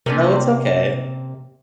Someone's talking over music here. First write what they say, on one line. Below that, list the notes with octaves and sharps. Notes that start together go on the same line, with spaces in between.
no, it's okay.
C3 A#3 C#4 D4